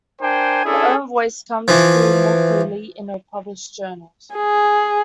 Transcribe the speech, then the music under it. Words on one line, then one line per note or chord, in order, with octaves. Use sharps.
Her own voice comes through more clearly in her published journals.
D4 A#4 C5 G5 G#5
C#4 D4 E4 G#4 A4
E3 F3
G#4